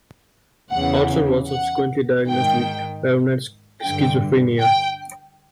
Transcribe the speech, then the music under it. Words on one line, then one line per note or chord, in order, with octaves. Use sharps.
Archer was subsequently diagnosed with paranoid schizophrenia.
E2 C#3 E3 F#5
F#5
G#2 D#3 G5
G2 D3 G5
G5